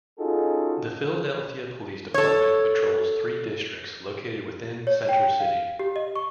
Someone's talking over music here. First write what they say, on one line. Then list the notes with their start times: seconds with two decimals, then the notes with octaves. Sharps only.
The Philadelphia Police Department patrols three districts located within Center City.
0.19 C#4 D#4 F4 F#4 G#4 A4
2.14 A4 C#5
4.87 C#5
5.09 G5
5.40 F5
5.79 G4
5.96 D#5
6.16 C#6